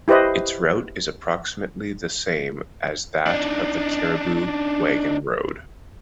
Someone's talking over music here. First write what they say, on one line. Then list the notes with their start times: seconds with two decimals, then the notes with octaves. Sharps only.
Its route is approximately the same as that of the Cariboo Wagon Road.
0.08 E4 G4 B4 C5 D#5
3.27 D4 D#4